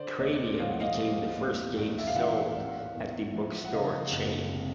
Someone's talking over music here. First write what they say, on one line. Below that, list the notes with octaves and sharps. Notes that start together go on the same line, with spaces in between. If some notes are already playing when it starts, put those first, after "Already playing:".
"Cranium" became the first game sold at the bookstore chain.
Already playing: D3 C5 D5
D#2 C#5 D#5
F3 F5
F#5
D#5 F5
D#2
A2
A1
E5
F5
E3 E5 F#5
A1
E2
F3
F#5
C#3 D#5 F5
F#1
C3